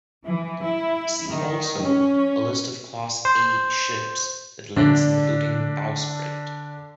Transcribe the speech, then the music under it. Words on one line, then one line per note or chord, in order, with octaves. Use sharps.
See also a list of class "A" ships with lengths including bowsprit.
E3
E4
D#3
C#4
C5
D3 D4